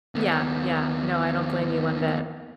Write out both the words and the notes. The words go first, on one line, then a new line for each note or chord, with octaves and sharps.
Yeah, yeah, no, I don't blame you one bit.
D#2 B3